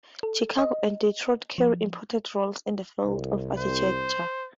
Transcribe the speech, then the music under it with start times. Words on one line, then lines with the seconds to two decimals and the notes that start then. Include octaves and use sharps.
Chicago and Detroit carry important roles in the field of architecture.
0.23 A4
0.58 D#5
1.58 F3
3.04 C2
3.58 C5